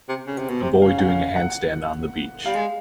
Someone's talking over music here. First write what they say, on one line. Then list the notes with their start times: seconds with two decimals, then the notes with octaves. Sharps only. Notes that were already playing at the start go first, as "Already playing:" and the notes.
A boy doing a handstand on the beach.
0.09 C3
0.27 C#3
0.38 C3
0.50 B2
0.62 C3
0.82 C#3 F5
0.98 F#5
1.09 F5
1.36 F#5
2.46 G3 F5
2.55 G#3